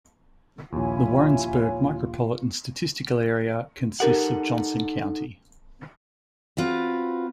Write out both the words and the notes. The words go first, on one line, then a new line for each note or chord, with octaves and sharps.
The Warrensburg Micropolitan Statistical Area consists of Johnson County.
A#1 D#2 E4 F4 C#5 G#5
D#4 G4 A4 A#4 F#5
C4 F4 F#4 B4